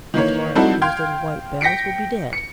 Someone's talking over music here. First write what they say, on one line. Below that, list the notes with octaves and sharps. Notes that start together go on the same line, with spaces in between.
"By to-morrow these little white bells will be dead."
D#3 E3 A#3 C#5
G3 C4 D#4 E4 F#4 A4
F5 G5 C6 F6 G#6
G5 A#6 B6 C#7 D7
C#7